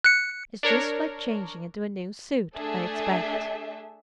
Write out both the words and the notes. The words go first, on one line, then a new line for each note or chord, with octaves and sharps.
It's just like changing into a new suit, I expect.'
F#6 C#7
D4 A#4 C#5
A3 D4 G#4 A4 E5